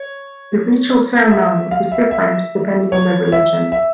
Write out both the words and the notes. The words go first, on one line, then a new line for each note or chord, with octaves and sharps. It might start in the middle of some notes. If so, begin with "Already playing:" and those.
The ritual ceremony is different depending on their religion.
Already playing: C#5
E5
F5
E5
E5
C#5
E5
E5